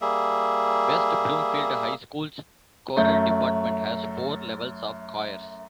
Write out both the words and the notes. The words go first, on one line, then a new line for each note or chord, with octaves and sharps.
West Bloomfield High School's choral department has four levels of choirs.
G3 A#3 G#4 E5
F#2 A3 G6